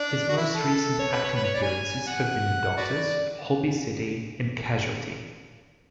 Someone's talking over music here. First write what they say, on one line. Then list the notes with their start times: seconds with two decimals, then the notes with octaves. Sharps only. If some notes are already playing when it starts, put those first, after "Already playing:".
His most recent acting appearances have been in "Doctors", "Holby City" and "Casualty".
Already playing: D4
0.29 F#4
0.37 E4
0.55 A4
0.99 C#5
1.12 B4
1.24 C#5
1.36 B4
1.44 C#5
1.54 D5
1.63 G#5
2.07 F#5
2.78 F#4 B4 D5